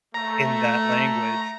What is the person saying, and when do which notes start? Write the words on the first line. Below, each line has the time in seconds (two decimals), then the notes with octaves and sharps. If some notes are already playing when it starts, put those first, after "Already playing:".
in that language.
0.14 A3 A#5